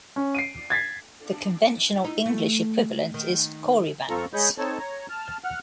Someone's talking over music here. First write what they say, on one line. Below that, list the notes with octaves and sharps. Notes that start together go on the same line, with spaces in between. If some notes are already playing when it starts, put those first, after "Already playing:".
The conventional English equivalent is "Corybants".
C#4
C7 D7 D#7
G#6 A6 B6 C7
D#4
A3
D#3
F2 C4 F4 A4 A#5 C#6
G#3 G#4 C#5 D#5 B5 G6
C4 D#4 A4 C#5 A5
C#5 A#5
A5 F6
F#5 F6